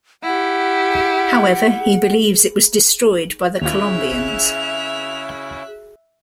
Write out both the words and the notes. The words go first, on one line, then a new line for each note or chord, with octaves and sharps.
However, he believes it was destroyed by the Colombians.
E4 G4 F#5
D#2 C#3 C#4 E4 F4 E5 F#6 F7